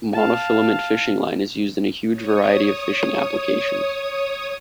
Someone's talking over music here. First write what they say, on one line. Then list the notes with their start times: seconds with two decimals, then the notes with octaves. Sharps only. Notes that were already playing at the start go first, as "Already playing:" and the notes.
Monofilament fishing line is used in a huge variety of fishing applications.
0.13 F5 A5
2.11 C#5 D#6